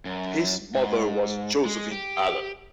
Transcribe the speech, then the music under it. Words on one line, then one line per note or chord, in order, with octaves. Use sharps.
His mother was Josephine Allan.
F#2
G#2
G#3
G4